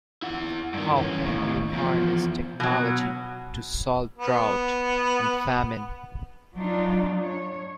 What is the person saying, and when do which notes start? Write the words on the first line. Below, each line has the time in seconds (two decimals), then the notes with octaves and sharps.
How can we harness technology to solve drought and famine?
0.22 E4 F#5
0.74 G2 D#3
0.95 E3 C#4
1.25 D#2 A2
1.73 E2 F3
2.60 B2 F#3
4.18 B3
6.54 F#3 D4 D#4 F4
7.21 C#5